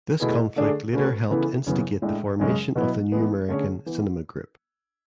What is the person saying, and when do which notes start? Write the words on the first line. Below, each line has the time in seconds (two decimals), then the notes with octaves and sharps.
This conflict later helped instigate the formation of the New American Cinema Group.
0.20 B2 A3 E4 G#4 B4
0.56 D3 A3 D4 G#4 D5
0.93 A3 C#4 F#4 B4
1.30 C#3 E3 B3 E4 A4
1.67 F#2 C#3 E3 B3
2.02 A2 G#3 D4
2.39 F#2 C#3 G#3 C#4 G#4
2.76 B2 F#3 B3 E4 B4
3.12 E3 G#3 B3
3.48 D3 A3 C#4 G#4 C#5
3.86 E3 B3